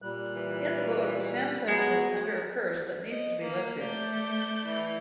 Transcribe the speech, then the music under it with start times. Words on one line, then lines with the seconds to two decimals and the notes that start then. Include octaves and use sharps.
In the book, Samson is under a curse that needs to be lifted.
0.02 A#2 G3 F#6
0.36 E3
1.68 F#3 G#3 B3
3.10 D#5
3.41 A#3
3.80 A3 D5 G6
4.65 E3